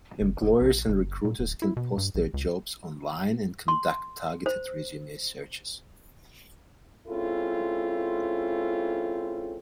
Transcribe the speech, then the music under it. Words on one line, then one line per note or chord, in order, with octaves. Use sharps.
Employers and recruiters can post their jobs online and conduct targeted resume searches.
F#1
F#1
A#1
F#1
A#2
D1
E4
B2
G2
A#1
C#2
C6
C5
G#3 C4 C#4 E4 F4 A4